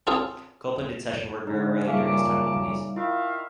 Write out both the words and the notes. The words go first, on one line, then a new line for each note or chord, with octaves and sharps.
Copeland did session work very rarely during his time in The Police.
C4 C#4 F4 G#4 A4
A2 D3 G#3 D#4
A#2 C#3 G3 C#4 E5 F5 A5 D6
D#3 E4 F4 E5 F5